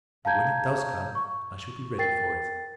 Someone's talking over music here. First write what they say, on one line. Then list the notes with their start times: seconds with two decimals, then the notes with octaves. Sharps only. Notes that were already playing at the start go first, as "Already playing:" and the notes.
But when it does come I shall be ready for it.
0.25 F5 A5 A#5 G6 G#6
1.15 C#6
1.98 A#4 G5 A6 C7